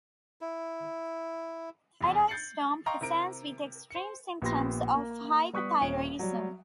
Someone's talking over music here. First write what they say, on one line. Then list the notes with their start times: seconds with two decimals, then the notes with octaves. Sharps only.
Thyroid storm presents with extreme symptoms of hyperthyroidism.
0.41 E4
2.01 F1 E2
2.28 G6 A6 C7 C#7 F#7
2.86 D#5 F5 G5 A#5 C6 C#6
3.01 C3 E4 A#4 D7
3.91 C5 C#7
4.42 A#1 B3 G4 B5 C6 A#6
4.94 A#3
5.53 G3 B3 C#6 D#6 F#6 B6
5.81 D#1 C#4 D7
6.19 F#3 G3